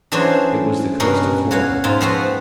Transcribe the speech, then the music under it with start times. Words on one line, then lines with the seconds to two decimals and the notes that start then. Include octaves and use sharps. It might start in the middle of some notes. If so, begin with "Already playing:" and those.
It was the coast of Florida.
0.12 E3 F#3 C#4 D4 G#4 C5
1.00 G2 B2 C#4 A#4
1.51 F#4 C#5 F5
1.84 G#2 F4
2.01 F3 B3 C4 F#4